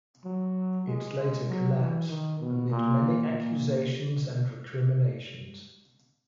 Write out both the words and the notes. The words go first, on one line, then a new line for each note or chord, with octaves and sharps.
It later collapsed amid many accusations and recriminations.
F#3
G#3
F#3
E3
D#3
B2
A#2
A#2